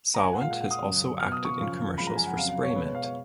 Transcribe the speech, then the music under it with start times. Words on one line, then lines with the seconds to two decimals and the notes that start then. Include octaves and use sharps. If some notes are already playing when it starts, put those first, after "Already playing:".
Sawant has also acted in commercials for Spraymint.
0.14 A#5
0.23 G#5
0.33 F#5
0.41 A#2 G#3 F5
0.51 F#5
0.61 F#5
0.71 D#6
0.81 F#2 C#3 F#3
1.19 B2 F#3 F6
1.32 D#6
1.45 C#6
1.59 F#2 C#3 F3
1.98 F#2 F3 G#3 B5
2.07 A#5
2.16 G#5
2.27 F#5
2.36 F2 C#3 F#3 F5
2.49 F5
2.63 C#5
2.75 B2 G#3 B4
2.85 C#5
2.95 F5
3.04 C#5